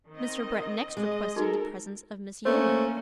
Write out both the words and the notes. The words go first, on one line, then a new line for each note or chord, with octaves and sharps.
Mr. Brett next requested the presence of Miss Yolland.
D#3 C4 D#5
G#3 G#4 D#5
D#4 F#4 A4 A#4
A3 A#3 C#4 C5